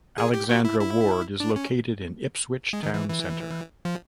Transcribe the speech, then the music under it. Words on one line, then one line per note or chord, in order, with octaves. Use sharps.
Alexandra Ward is located in Ipswich town centre.
G#4
G4
F#4
E4
E4
D4
C#4
G#3
D#3
E3
E3
F3